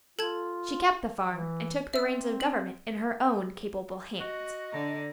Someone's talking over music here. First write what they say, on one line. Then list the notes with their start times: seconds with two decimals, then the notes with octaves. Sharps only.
She kept the farm and took the reins of government in her own capable hands.
0.19 F4 A4 A5 G#6
1.28 E3
1.94 C4 E5 E6
2.41 F#7
4.20 F#4 D#5
4.72 D3 D5 A#5